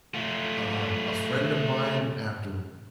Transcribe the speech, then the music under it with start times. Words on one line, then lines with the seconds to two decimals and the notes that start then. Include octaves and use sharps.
um, a friend of mine after w
0.14 A3 F4